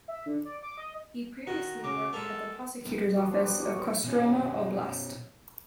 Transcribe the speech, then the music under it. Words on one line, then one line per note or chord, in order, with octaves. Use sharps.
He previously worked at the Prosecutor's Office of Kostroma Oblast.
E5
D3
D5
D6
D#5
D#3 F#4 A#5
C#3 D6
G#3 A#3 A4
F#4 D#5
D4 C5
B3 G4 B4
F3 F#4 A#4 C#5
B3
B2 C#4